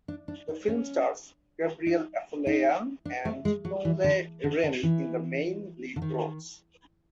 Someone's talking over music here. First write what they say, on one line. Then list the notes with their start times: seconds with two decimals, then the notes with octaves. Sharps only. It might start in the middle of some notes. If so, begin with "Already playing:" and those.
The film stars Gabriel Afolayan and Kunle Remi in the main lead roles.
0.08 D4
0.28 D4
0.48 D#4
0.68 C#4
1.87 D#4
2.47 D#4
3.05 D4
3.25 A3
3.45 G#3
3.65 F#3
3.85 E3
4.04 D3
4.44 D3
4.63 D3
4.83 E3
5.96 D3
6.02 D#3